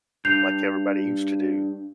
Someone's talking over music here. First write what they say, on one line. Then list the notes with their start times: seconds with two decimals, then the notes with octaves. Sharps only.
like everybody used to do.
0.25 G2 G6 C7 F7